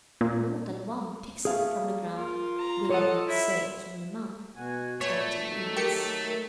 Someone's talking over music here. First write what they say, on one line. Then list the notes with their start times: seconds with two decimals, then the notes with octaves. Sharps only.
More than one picks up from the ground--we will not say from the mud--what he eats.
0.21 A#2
1.45 A3 G#4 F5
1.81 A#3
2.17 F4 A#4
2.58 A#5
2.90 A4 C#5 D#5 F#5
3.26 E4 E5
4.56 B2 F#4 G#5
5.01 A#2 A3 B3 C#5
5.44 D#3 F#3 A4
5.77 G4 A#4 C#7